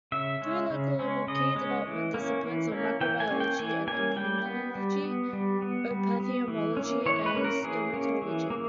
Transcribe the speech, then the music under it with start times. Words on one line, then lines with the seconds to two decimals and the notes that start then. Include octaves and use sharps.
Three Local-level Key Development Disciplines are Microbiology and Immunology, Ophthalmology and Stomatology.
0.12 C#3 E5
0.42 G#3 C#4
0.70 C#3
0.99 G#3 C#4
1.27 C#3 D#5
1.56 G#3 C#4
1.86 E3
2.14 A#3 C#4
2.43 E3
2.72 A#3 C#4
3.01 E3 G5
3.20 G#5
3.30 A#3 C#4
3.40 G5
3.59 E3 G#5
3.87 A#3 C#4 G#5
4.16 G3 G5
4.45 B3
4.75 G3
5.04 B3
5.33 G3
5.62 B3
5.91 G3
6.20 B3
6.48 E3
6.77 A#3 C#4
7.06 E3 C#5
7.26 B4
7.34 A#3 C#4
7.44 A#4
7.63 E3 G#4
7.93 A#3 C#4
8.22 E3
8.50 A#3